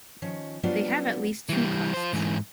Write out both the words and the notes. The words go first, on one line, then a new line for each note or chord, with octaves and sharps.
They have at least two cusps.
D#3 F3 C#4
F#3 G3 B3 C4 D4 F4
E3 G3
F4 C5
G#2 E3